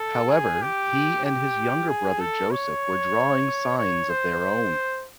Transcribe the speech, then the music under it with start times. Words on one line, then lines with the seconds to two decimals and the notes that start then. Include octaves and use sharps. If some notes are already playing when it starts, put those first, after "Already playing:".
However, he and his younger brother Joseph were drawing signs of their own.
Already playing: A4
0.30 G#4
0.62 G4
1.25 G4
1.88 G#4
2.20 A4
2.51 C#5
3.78 C#5
4.10 C5